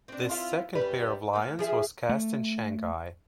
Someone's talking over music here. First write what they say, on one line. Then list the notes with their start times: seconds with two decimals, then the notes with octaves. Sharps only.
This second pair of lions was cast in Shanghai.
0.08 C4 D4
0.31 E4 F4 F5
0.75 F#2 G3 B4
1.33 A3 A#3
1.59 F3 G#4 E5
2.09 A3